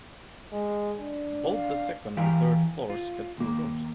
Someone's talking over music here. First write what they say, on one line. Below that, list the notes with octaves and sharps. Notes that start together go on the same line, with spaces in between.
Both the second and third floors had two rooms.
G#3
D4
F5
E3 E4 G4 A#4 F5
F4
D#2 A#3